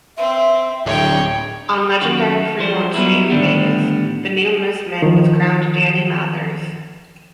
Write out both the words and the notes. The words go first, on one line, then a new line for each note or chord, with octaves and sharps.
On legendary Freemont street in Vegas, the new Miss Mint was crowned Dani Mathers.
C4 E5
D1 C#5 G5
F#2 D#3 F#4
F3 G3 C5
F#3 G3 B3 D#4 E4
A2 D3 D#3 G3 B3
D#3 F3